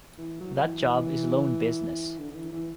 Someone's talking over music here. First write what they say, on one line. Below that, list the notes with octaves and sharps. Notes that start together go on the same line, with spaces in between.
That job is loan business.
E3
F#3
E3
D3
D3
E3
E3